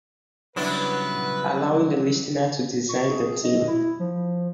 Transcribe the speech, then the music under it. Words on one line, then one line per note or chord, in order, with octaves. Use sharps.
Allowing the listener to design the theme.
C#3 F#3 G3 B3 D4 E4 B4
C#6
G#4
D#5
E4
F3